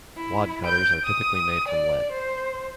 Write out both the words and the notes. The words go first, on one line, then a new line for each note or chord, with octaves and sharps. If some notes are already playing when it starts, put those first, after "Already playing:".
Wadcutters are typically made from lead.
E4
G6 D7
D#6
D5
C5